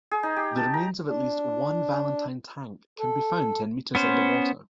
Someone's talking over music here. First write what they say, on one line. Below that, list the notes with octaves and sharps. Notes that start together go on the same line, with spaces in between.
The remains of at least one Valentine tank can be found ten metres underwater.
G#4
D#4
G4
A5
A#5
D4
A4
B3 C#4 C5